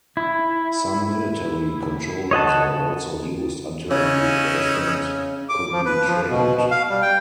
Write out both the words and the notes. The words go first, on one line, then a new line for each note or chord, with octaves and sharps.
Some military controllers were also used until replacements could be trained.
E4
C#5 D#5 F#5 A5
C#3 C#4 D#4 E4
D6
F3
B4
F3
B2
B2
F5
G3
G5